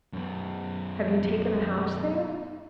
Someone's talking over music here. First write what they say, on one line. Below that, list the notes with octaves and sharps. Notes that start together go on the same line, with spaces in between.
Have you taken a house there?'
F#2 B3